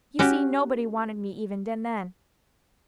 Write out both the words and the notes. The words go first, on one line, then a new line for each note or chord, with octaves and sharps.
You see, nobody wanted me even then.
C#4 F#4 G4